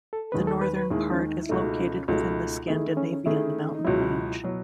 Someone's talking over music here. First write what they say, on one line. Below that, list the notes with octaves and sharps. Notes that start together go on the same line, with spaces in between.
The northern part is located within the Scandinavian mountain range.
A4
D#2 D#3 G#3 B4
A4
B4
B4
D#2 D#3 G#3 E4
C#4
D#4
E4
C#2 B2 A3 D#4
D#4
C#4
C#2 B2 A3 D#4
D#3 A3 D#4 E4 G#4
C#4
D#3 A3 E4 G#4
D#4
C#2 B2 F#3 E4
B2 F#3